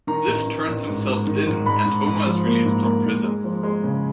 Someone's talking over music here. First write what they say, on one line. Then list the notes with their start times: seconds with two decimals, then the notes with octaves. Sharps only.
Ziff turns himself in, and Homer is released from prison.
0.07 D#3 A#5
0.27 A1
0.47 D#3
0.68 A1
0.87 G#2
1.07 G#2
1.27 D#3
1.47 G#2
1.65 G#2 B5
1.85 G#2
2.06 G#2
2.26 F3
2.46 A#3
2.65 G#2
2.84 A#3
3.05 G#2
3.24 G#3
3.44 F3
3.63 G#3
3.83 C#3